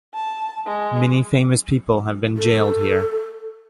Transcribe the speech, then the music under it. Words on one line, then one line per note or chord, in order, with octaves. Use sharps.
Many famous people have been jailed here.
A5
G#3
A4